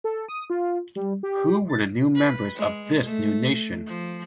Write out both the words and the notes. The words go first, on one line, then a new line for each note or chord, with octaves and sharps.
Who were the new members of this new nation?
A4
D#6
F4
G3
G4
A6
B4
G#3
A3
F3